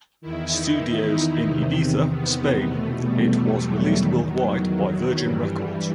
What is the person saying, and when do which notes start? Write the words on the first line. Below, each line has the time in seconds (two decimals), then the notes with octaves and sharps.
Studios in Ibiza, Spain, it was released worldwide by Virgin Records.
0.21 E2 D#3 E4
0.53 D#4
0.84 D#4
1.47 E2 C3 D#3
2.09 B3
2.72 E2 B2 A3
3.04 G3
3.35 F#3
3.66 G3
3.97 E2 D#3
4.29 F#3
5.22 G2 E3 G3
5.54 G3